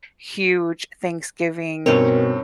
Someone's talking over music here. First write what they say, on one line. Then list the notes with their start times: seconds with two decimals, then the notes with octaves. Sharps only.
huge Thanksgiving,
1.86 G2 B2 C4 C#4 D#4 A#4 C#5